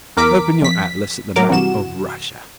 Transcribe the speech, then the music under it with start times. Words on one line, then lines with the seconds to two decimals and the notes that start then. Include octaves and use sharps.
Open your atlas at the map of Russia.
0.17 E2 A#4 D6 B6 D7
0.62 F2 B6
1.36 F#3 A#4 D6
1.49 G2 C3 E3 F#4 E7